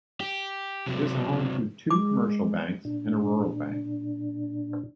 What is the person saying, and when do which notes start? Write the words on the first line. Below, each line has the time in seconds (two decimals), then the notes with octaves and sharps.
It is home to two commercial banks and a rural bank.
0.20 G4
0.87 C3 F#3
1.91 G#3 D6
2.85 A#2 D4